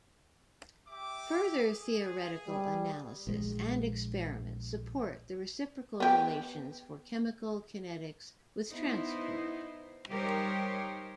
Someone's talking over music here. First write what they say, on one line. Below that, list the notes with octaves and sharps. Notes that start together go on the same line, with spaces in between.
Further theoretical analysis and experiments support the reciprocal relations for chemical kinetics with transport.
G4 E5 D6
G#4
G3
A#1 G#3
B3 G4
B3 D#4 E4 C5
G3 D#4 G4 A#4 C5 C#5